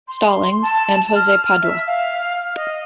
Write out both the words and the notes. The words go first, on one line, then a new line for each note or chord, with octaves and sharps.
Stallings, and Jose Padua.
C6
A5
F6
E5
F5
D#5